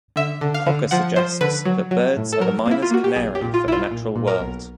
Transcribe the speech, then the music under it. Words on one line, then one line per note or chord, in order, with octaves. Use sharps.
Cocker suggests that birds are the miner's canary for the natural world.
D3 E5
D3
F5
D3
F3 F#5
F3 C5
D3 B4
F#3
F#3
A2
A4
F#3 A#4
A#3
E4
F4
A#3 F#4
G4
B1 G#4
G4
A#2
F4
B1 E4
F4
A#2
A#2
A#4
B1